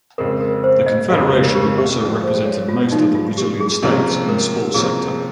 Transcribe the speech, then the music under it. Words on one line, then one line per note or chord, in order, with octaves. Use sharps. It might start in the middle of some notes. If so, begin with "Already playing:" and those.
The Confederation also represented most of the Brazilian states in the sports sector.
F2 C#3 G#3 C4 A#4
A#4
C5
D#5
F2 C#3 G#3 C4 F5
A#4
G4
G4
G2 F3 G#3 G#4
C5
C#5
F4
G2 F3 G#3 D#4
F4
G4
G#4
C3 F3 A#3 C#4 G#4
A#4
C3 F3 A#3 C#4 G#4